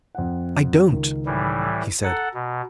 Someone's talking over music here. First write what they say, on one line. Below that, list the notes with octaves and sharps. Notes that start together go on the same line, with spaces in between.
"I don't," he said.
F2 F#5
C#2 D#3
A2 E3 G3
A4 F#5 A#5
B2